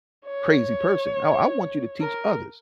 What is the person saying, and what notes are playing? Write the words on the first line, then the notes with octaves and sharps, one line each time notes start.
crazy person. I I want you to teach others
C#5
A#4